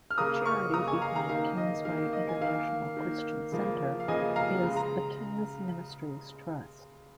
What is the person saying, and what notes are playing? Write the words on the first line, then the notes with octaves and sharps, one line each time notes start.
The charity behind Kingsway International Christian Centre is "The King's Ministries Trust".
F6
C#3 A#3 A#5 D#6
C#6 F6
C#3 A#3 A#5 D#6
G#5 C#6
F5 A#5
F5 A#5
D#3 A#3 F5
D#5
D#3 A#3 F5
D#5
G#5
D#3 A#3 F5
D#3 A#3
C#3 F3 A#3
F5
C#3 F3 A#3 D#5 G#5
F5 A#5
C#3 G#3
A#5